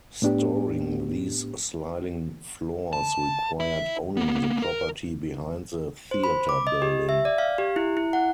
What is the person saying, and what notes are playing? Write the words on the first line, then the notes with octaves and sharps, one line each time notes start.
Storing these sliding floors required owning the property behind the theater building.
A2 B3 D4 G4
A5
E4 E5
A#3 B3
A#4
C5
B5
D6
D#5
G4
E5
D5
F5
G4
E4
E4
F#5